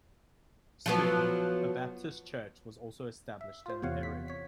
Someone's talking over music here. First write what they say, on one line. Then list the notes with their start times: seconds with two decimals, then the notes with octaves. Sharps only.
Soon, a Baptist church was also established in the area.
0.86 F3 F#3 B3
3.41 E5
3.66 F4 C5
3.82 E2 C3 C#5 F5 F#5
4.03 B6
4.28 C#5 B6